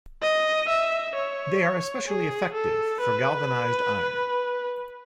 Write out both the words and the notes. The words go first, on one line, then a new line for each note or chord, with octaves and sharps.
They are especially effective for galvanized iron.
D#5
E5
C#5
G#4
A4
B4